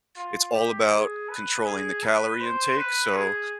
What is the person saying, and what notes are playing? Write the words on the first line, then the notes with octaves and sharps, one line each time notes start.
It's all about controlling the calorie intake, so
F4
G4
G#4
B4
G#4
B4
C5
B4
G#4